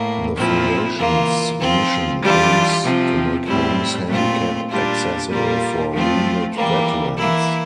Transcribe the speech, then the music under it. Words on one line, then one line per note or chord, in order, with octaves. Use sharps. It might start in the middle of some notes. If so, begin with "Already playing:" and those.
The foundation's mission aims to make homes handicap accessible for wounded veterans.
Already playing: A2 A#3
A#2 F3 C4 E4
E3 A#3 F4
F3 C4 F4
E3 G3 D4 F4
C3 F3 C4
A2 G3 C4 E4
A#2 A3 C4 F4
A#2 G3 D4 F4
A#2 G3 A#3 F4
F3 A3 C4 F4
E3 G3 A#3
E3 A#3 E4